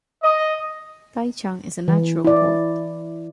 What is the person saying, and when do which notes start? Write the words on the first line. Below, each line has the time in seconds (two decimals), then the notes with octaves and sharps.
Taicang is a natural port.
0.23 D#5
1.88 E3
2.24 E4 D5